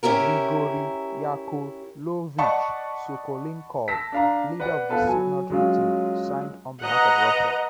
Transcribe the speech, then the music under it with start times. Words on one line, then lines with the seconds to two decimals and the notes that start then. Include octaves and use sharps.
Grigori Yakovlovich Sokolnikov, leader of the signatory team, signed on behalf of Russia.
0.03 C#4 E4 G4 A#4
2.38 D5 D#5 F#5 A5 B5 C#6
3.88 A5 E6 A#6 B6
4.12 D4 F5 A#5
4.60 B4 D5 F#5
4.90 B3 F4 A4 B4
5.07 F#3 G#5
5.50 F#3 G#3 C#4 F4
6.82 B4 D#5 F#5 A#5